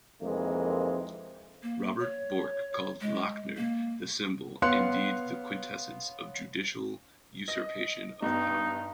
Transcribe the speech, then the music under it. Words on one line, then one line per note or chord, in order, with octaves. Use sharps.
Robert Bork called "Lochner" "the symbol, indeed the quintessence, of judicial usurpation of power".
F2 C3 D#3 E3 G#3 A#3
A#3
C#5
G#3
A#3
B3 C#5 F5 C6 F#6 C#7
D#5 A#6
G2 B3 D#4